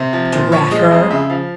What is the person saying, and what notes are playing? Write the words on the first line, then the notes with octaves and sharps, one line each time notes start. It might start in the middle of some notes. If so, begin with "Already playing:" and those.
Drat her!
Already playing: C3 C5
F3
A#2 C5
F3 C#5
G#3 D#5
F2 D#5
C#3 E5
F3 F5